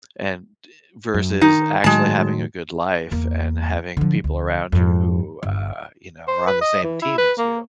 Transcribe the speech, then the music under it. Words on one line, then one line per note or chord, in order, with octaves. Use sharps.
And, eh versus actually having a good life and having people around you who, uh, you know, are on the same team as you?
F#2
D#3 D#4
A2 D#3 F#3 G#3 A5
E2 A#3
D3 F3
D2
F2 G#2
G1
C5
B4
D#5
E3
E4
B4
A#3